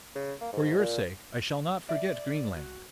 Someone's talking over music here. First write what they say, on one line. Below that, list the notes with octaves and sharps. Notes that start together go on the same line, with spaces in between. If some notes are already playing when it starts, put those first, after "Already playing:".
"For your sake I shall not forget Greenland."
C#3
A#3
G#2
A#2
D5 E5
F#4